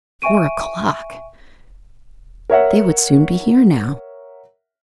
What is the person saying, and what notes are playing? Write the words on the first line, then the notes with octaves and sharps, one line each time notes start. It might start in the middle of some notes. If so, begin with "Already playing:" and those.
Four o'clock! they would soon be here now.
E5 G5 G#5 C#6 D7 D#7
A#4 C#5 E5 F#5